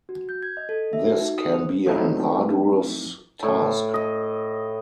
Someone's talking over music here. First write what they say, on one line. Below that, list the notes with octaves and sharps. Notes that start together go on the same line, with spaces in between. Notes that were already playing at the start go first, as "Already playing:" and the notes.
This can be an arduous task.
F#4
G6
G#6
D#5
A4
E5
F#4
D#4
D#6
C5
F3 F#3 A3 C4 D#4 E4
A2
D#5